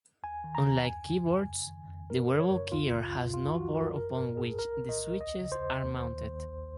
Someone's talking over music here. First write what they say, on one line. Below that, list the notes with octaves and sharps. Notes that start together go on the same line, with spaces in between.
Unlike key"board"s, the wearable keyer has no board upon which the switches are mounted.
D#2 G#5
D#3
A#5
D#2
F#2 G#5
C#3
F#2
F2
D#3
F2
F#2 A#4
C#3
C#5
F#2
C#2 F4
C#3
C#2
F#2 F4
F3 F#4
F#2 A#4
G#1 A#4
G#2 A#4
G#1 G#4
C2 A#4
A#2
D#5
C2
D#2 D#5
C#3
C5
D#2
D#2
D#3
D#2
A#1